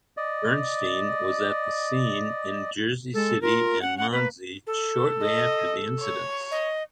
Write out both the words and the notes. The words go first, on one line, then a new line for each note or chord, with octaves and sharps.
Bernstein was at the scene in Jersey City and Monsey shortly after the incidents.
D5 D#5
G#3 A4
F4 A#4
C#4 F#5
F#5
A#3 B4
A4
D#5
C#5
D#5